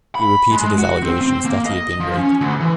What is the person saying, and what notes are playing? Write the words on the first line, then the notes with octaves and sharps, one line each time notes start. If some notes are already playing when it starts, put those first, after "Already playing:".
He repeated his allegation that he had been raped.
B5
G#3
F#4
C4
C4
A#3
D#5
F3
C#4
D2
E3